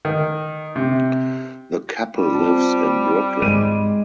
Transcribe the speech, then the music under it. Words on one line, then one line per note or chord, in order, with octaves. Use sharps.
The couple lives in Brooklyn.
D#3
C3
G3
C4 F4 A5
G#1 G#3 D#7